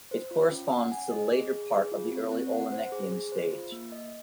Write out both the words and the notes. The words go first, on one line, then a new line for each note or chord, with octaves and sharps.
It corresponds to the later part of the early Olenekian stage.
C5
F4
C#4
F#5
G#5
D#5
G#4
G#4
G#4
F4
C4
C4
F#5
C5
G#4
G#4
C5
F4
A#3
D#5